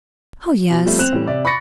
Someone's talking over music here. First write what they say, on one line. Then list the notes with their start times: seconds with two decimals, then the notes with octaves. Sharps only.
Oh, yes.
0.70 B2
0.85 F3 G3 A3 C4
0.99 C4 F#6 E7 F7
1.12 A2 E3 G3
1.26 C3 D5 E5
1.45 B5 C#6 D6 A6 A#6 C#7